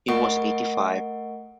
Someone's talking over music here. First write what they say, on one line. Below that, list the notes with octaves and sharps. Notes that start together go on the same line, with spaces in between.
He was eighty-five.
A3 A#4 D#5 F#5 C#6 D7